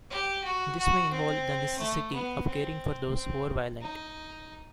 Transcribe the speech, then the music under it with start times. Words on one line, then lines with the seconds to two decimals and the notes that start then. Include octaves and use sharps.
This may involve the necessity of caring for those who are violent.
0.10 G4
0.44 F#4
0.78 F#4
1.11 C4
1.79 A3
2.12 B3
2.47 C4
3.14 C4
3.81 D#4